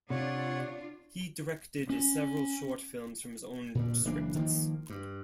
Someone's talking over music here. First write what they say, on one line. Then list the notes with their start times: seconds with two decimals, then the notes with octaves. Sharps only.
He directed several short films from his own scripts.
0.10 C3 D4 F4 C#5 D5 F#5
1.89 C#4
3.75 G2 A#2
4.05 F#1 E3 A#3 D4
4.34 D#3 F3 G#3 A#3
4.90 G2